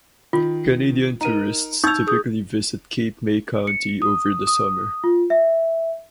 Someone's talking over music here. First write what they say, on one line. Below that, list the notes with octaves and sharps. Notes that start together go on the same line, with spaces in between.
Canadian tourists typically visit Cape May County over the summer.
D#3 F4
D#4 A#4 A#5 D#7
D#4 C#6 E6 G6 G#6 F7
G#4 D#6 G6
C#7
D#6
D#6
F4
E5